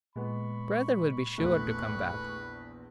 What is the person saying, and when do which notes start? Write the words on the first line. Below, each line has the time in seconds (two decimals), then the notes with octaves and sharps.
Brother will be sure to come back.
0.16 A#2 G#3 B3 B5 C#6
1.38 A#1 E2 A3 B4